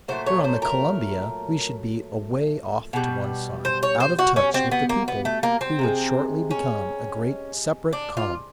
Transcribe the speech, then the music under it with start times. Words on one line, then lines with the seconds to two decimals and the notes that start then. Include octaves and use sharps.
Here on the Columbia we should be away off to one side, out of touch with the people who would shortly become a great separate commonwealth.
0.08 A#2 F#3 A3 C5
0.26 C#5
0.44 C5
0.62 A#4
2.93 B2 G3
3.65 C5
3.83 C#5
4.00 C5
4.19 F#4
4.36 C#4
4.54 C4
4.71 B3
4.89 A#3
5.08 B3
5.25 A3
5.43 A#3
5.61 C4
5.79 C3 D#3 G#3
6.51 C#4
7.93 D4
8.17 F4